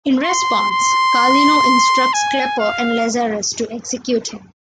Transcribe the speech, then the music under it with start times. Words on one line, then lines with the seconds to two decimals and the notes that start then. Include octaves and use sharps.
In response, Carlino instructs Klepper and Lazarus to execute him.
0.24 C6
0.71 C6
2.13 G#5
2.59 F5